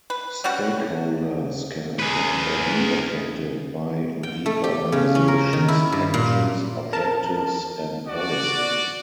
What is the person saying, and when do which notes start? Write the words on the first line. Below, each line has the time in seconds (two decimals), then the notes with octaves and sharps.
Stakeholders can affect or be affected by the organization's actions, objectives and policies.
0.10 B4
0.44 G3 C#4 F#4 F#5
1.99 G#4 B4
4.23 G5
4.46 A3
4.64 G4
4.92 C#3
5.15 C#4
5.28 A#4
5.53 D#3
5.68 E4
5.92 G2
6.14 A#2
6.93 A#4 A5
8.06 F#4 D5